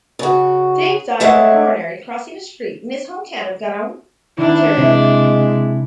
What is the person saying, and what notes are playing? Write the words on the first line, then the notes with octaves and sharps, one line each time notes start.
Day died of a coronary crossing a street in his hometown of Gananoque, Ontario.
C#3 F#4
G#3 A3 E4 A4 C#5 F#5
D#3 D4 E4
C3 G#3 E4